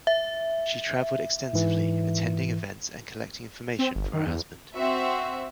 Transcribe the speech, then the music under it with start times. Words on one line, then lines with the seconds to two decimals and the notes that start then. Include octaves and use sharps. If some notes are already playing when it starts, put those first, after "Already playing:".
She travelled extensively, attending events and collecting information for her husband.
0.07 E5
1.53 G#2 E3
3.79 C4
3.95 G1
4.13 D#3
4.27 E2
4.75 C4 F#4 E5